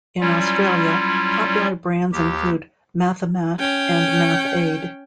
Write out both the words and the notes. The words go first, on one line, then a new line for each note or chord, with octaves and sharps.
In Australia, popular brands include Mathomat and MathAid.
F#3 G3 C#4 E4 F4
D#2 G4
C#4 G5